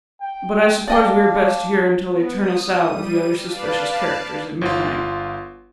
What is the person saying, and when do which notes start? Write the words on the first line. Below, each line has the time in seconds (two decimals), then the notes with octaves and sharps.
But I suppose we are best here until they turn us out with the other suspicious characters, at midnight.'
0.21 G5
0.88 D4 D5 D#5 F5 G5
2.08 B3
2.37 D#6
2.81 G3 D#7
3.42 B4 D5 F5 A5
4.61 G1 F4